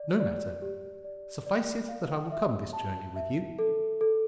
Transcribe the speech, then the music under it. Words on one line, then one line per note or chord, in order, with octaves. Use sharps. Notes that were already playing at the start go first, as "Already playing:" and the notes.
No matter! Suffice it that I will come this journey with you.
Already playing: D5
D5
G4
D5
D5
F5
E5
A5
E5
A4
A4